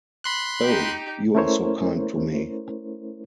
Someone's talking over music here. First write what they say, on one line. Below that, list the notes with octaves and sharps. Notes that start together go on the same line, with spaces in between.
Oh, you are so kind to me.
B5 C6 F#6
D#4 G4
A3 C#4 E4 A#4 C5 C#5